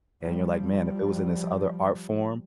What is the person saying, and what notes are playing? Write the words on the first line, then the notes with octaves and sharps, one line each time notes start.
and you're like, "Man, if it was in this other art form,"
F3 G3